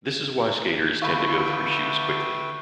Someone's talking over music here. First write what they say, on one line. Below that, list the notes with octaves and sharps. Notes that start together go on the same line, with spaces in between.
This is why skaters tend to go through shoes quickly.
D3 B4 E5 F5 G5 B5 C#6